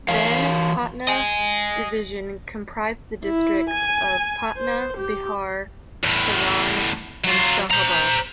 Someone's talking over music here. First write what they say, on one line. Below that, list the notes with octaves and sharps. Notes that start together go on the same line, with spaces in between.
Then Patna division comprised the districts of Patna, Bihar, Saran and Shahabad.
E3 A#4 C#5 F5
D#5 G#5
E4
G#5
C5
G4
E2 A2
F#3 F4
C5 A#5